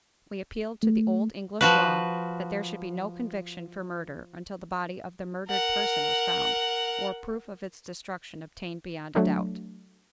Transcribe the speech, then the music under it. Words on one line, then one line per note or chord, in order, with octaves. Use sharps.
We appealed to the old English law, that there should be no conviction for murder until the body of the murdered person was found, or proof of its destruction obtained beyond a doubt.
A3
F3 F#4 B4
A#4 F#5
F#3 A3 D4